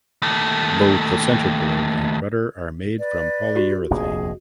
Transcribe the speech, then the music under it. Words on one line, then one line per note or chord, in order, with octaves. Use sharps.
Both the centerboard and rudder are made from polyurethane.
D#2 A3
B4 D5
F#4 G4
F1 A#1 D#2 G#4 D#5